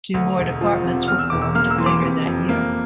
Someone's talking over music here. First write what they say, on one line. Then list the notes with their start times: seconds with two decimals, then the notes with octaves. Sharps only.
Two more departments were formed later that year.
0.14 D2
0.37 E1
0.61 F3
0.84 C3
1.08 E2 F6
1.19 E6
1.30 E1 D6
1.42 E6
1.55 A#3 F6
1.71 E6
1.78 E3 C6
1.86 D6
2.02 C3
2.26 F2
2.49 A#3